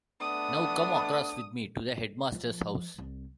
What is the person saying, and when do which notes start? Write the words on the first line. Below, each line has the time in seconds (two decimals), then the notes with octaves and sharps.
Now come across with me to the headmaster's house.
0.20 A3 B3 D4 D#6
2.35 F3
2.98 C2